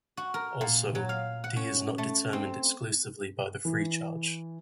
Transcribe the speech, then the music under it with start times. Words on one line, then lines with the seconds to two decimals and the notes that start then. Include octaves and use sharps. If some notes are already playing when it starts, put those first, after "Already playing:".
Also, D is not determined exclusively by the free charge.
0.17 F#4
0.34 A#4
0.61 A#2
0.95 F#3
1.09 F5
1.44 F#5
1.56 C#4
1.98 A3
2.33 C4
3.65 E3